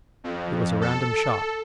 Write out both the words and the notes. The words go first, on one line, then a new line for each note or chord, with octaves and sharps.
It was a random shot.
F2
A4